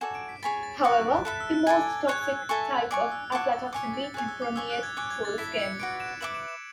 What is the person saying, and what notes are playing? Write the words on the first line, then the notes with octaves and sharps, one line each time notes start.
However the most toxic type of aflatoxin, B, can permeate through the skin.
F#4 A4 D5 G#5 E7
D7
B6
G#4 C#5 G#5 B5 A6
A6
F#4 C#5 F#5 C#6 F#6
A4 E5 B5 F#6
E6
F#6
A4 D5 G#5 G#6
G#4 C#5 G#5 F#6
A4 E5 G#5 C#6
D5 G#5 C#6 D6
E6
C#5 F#5 A5 D6 F#6
A6
C#5 G#5 D6 C#7
B6
A6
A6
G#4 C#5 G#5 F#6
E6
D6
C#5 G#5 C#6 E6
F#6
G#6
C#5 G#5 D6 F#6
G#6
A6
E4 A4 E5 B6
C#7
F#4 B4 D5 D7
E7
B4 E5 B5 D6 F#7
E7
E7